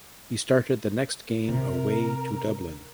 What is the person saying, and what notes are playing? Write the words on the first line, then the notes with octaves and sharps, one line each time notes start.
He started the next game away to Dublin.
C3 A#4